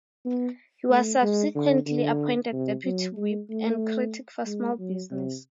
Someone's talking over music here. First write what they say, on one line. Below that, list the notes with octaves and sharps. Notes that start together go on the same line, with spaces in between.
He was subsequently appointed deputy whip and critic for small business.
B3
A3
G#3
D3
D3
C3
F#3
G#3
A3
G#3
F#3
C3